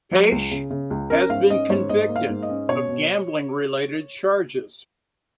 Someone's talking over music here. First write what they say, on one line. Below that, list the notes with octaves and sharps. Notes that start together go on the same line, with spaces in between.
Paetsch has been convicted of gambling-related charges.
F#3
C#2
C#3
C#3
C#2
C#4 A#4
G#2 F5
C#4 D#5
G#2 C#5
G#2 D#5
A#3
F5
G#2
D#5
C#4
B2 C#5
B2